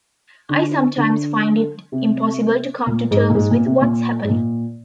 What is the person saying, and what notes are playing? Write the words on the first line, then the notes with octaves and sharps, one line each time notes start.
I sometimes find it impossible to come to terms with what's happening.
D3
D3
C3
A#2
G#2
A#2
G#2
A#2
C3
A#2
G#2
A#2